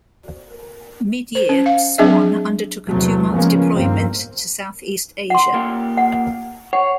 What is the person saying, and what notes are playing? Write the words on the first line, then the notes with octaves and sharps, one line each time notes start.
Mid-year, "Swan" undertook a two-month deployment to South East Asia.
C5
C#4
F5
F#3 C4 D4 G#4 D#5 E5
E2 C3 F#3 A3
C#3 F3 G#3 A#3 B3 C#4
D2 G2 A#3 C4
F#5 C6
A#3 F4 G4
F#5
C#5 F#5